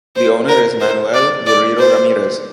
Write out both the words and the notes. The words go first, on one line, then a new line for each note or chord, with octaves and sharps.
The owner is Manuel Guerreiro Ramirez.
C5
A#4
C5
D5
D5
C5